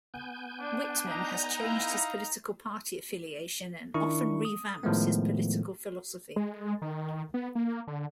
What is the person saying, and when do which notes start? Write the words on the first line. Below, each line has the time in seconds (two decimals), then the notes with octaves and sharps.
Wittmann has changed his political party affiliation and often revamps his political philosophy.
0.14 B3 G#5 G6
0.60 D4 D5
1.07 D#4 A#5
1.61 E4 F5
3.94 D#3 D4 E4 C#6
4.45 D#6
4.83 A2 D#3 F3 G#3 A3 B3
6.36 G#3
6.82 D#3
7.34 B3
7.55 A#3
7.87 D3